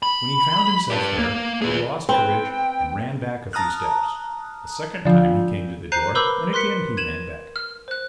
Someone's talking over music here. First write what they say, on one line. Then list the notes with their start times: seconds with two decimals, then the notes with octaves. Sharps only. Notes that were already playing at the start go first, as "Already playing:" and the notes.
When he found himself there, he lost courage and ran back a few steps. A second time he came to the door and again he ran back.
0.03 B5
0.90 G4 B4
1.19 A#3
1.62 G#4 B4
2.09 C4 B4 C5 G5
3.53 A5 A#5 D#6 F6 F#6
5.05 D3 F3
5.92 C5 A#5 F#6 G6 C7 D#7
6.15 A#4 B4 B5 D6 E6 G6
6.53 A#4 C6 F#6 B6 C#7
6.97 G#6 D#7 E7 F#7
7.56 F6
7.88 C5 F#6